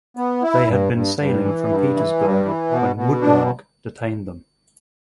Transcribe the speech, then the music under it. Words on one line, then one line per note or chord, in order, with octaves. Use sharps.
They had been sailing from Petersburg when "Woodlark" detained them.
B3
E4
G2
G2
G2
E3
G2
E3
G2
E3
B2
B2
D4